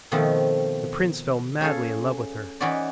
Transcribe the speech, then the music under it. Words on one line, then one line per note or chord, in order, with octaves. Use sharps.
The prince fell madly in love with her.
B2 D#3 F3 A3 C4
C#4 G#4 A4 F5
E3 C#4 D#4 F#4 B4 D5